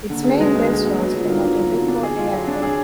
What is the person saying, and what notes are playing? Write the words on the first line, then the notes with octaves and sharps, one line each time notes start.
Its main base was Domodedovo Airport.
D3 A#3
G#4
B3
F#4
G#3 G#4
D2
D3
B3
F#3 F#4
D3 F4
A#3 D#4
D3 D4
D4
F#3
A#3
D3 B3
D4
G#4
F4
F#3
D4
G#4